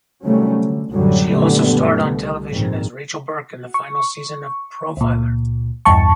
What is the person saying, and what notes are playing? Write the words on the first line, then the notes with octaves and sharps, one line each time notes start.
She also starred on television as Rachel Burke in the final season of "Profiler".
C3 D#3 F#3 G3 A3 C#4
D3
C2 F#2 A2 D3 F#3 G3
F#2 A#2 D3 G3 A3 B3
C2
A#1 F2 G#2 D#3
C#6
C#2 A#2
B1 E2 G2 E3 A5 C#6